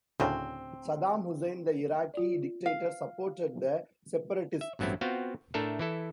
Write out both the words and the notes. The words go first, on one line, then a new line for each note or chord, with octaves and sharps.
Saddam Hussein, the Iraqi dictator, supported the separatists.
D2 A2 C#3 C4
F4 D5
F5
E5
A1 G2 F#3 B3 C4 E4
B3 C4 F4 F#4 F5 G5
A2 A3 D4 A4 A#4 E5
E3 E4 A4